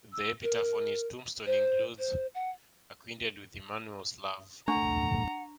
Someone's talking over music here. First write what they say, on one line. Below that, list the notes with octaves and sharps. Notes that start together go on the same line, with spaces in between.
The epitaph on his tombstone includes 'Acquainted with Emmanuel's Love'.
E6
A#4
C5
C5
F#5
A3 D4 F#5 A#5 C#6